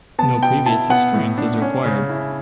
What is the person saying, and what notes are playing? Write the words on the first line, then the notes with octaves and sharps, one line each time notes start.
No previous experience is required.
B3 A5
B2 G5
E4 A5
B3 F#5
A2
D4
C#4
C#3
E4